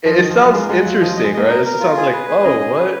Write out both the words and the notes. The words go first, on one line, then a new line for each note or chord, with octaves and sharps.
it it sounds interesting, right? It just sounds like, "Oh, what?"
F3 D#5
D#3 D#5
F3
F#3 F4
G#3 A#4
G#3 F#5
F#3 F4
F3 D#5
F#3 D#5
G#3
A#3 D#5
B3 A#4
A#4
F4
G#4
B4
G#4
C#4 D#5
G#4
B4